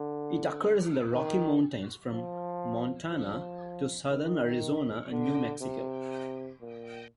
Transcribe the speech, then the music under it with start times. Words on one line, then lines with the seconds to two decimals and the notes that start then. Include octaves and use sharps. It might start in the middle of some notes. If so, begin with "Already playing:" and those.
It occurs in the Rocky Mountains from Montana to southern Arizona and New Mexico.
Already playing: D3
1.12 D#3
2.12 F3
3.11 F3
4.11 D#3
5.11 D3
5.61 C3
6.61 A#2